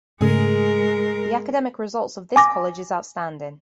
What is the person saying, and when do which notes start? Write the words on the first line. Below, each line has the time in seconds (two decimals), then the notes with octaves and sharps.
The academic results of this college is outstanding.
0.21 G#2 C#3 G#3 A3 G#4 A#4
2.36 G#5 D6 A#6